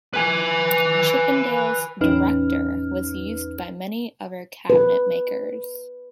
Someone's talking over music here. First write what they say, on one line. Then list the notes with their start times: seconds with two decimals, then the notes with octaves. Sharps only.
Chippendale's "Director" was used by many other cabinet makers.
0.13 B4 G#5
2.01 A1 E2 C#4 D#4 B4 F6
4.70 B4